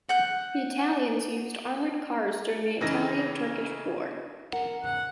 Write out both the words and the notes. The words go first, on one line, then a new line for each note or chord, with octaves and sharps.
The Italians used armored cars during the Italo-Turkish War.
F#5 G6
C#3 E3 D#4 A#6
A#4 F#5
E2 G#2 C#3 F#5